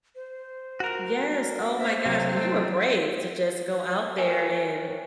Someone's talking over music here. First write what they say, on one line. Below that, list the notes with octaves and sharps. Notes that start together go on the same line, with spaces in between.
Yes, oh my gosh, and you were brave to just go out there and
C5
F#4 A#4
C5 E5
C3 F#3
A3 C4
A#4 B4 C#5 E5 G5 G#5